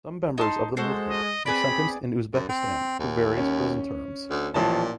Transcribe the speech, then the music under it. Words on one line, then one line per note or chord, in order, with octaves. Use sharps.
Some members of the movement were sentenced in Uzbekistan to various prison terms.
D#4 A5 C6
G#3 F#4 A4 C5
D#5
B3 C4 G#4 D5 B5
F#2
C4
D#2
C#4
D2
A1 A#2 F3 A5